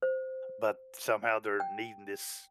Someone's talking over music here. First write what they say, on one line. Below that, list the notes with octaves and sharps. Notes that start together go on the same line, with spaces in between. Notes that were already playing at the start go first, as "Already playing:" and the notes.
but somehow they're needing this
C5
G5